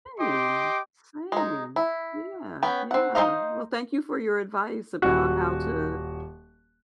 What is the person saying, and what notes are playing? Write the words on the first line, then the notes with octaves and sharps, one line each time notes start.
Same, same. Yeah, yeah. Well, thank you for your advice about how to
G4 D#5 G5 C6 D6
G#3 D#4
E4
B3 C#4 G5
C4 F#5
D#4 B4 C5 D#5 F5
D#1 F#4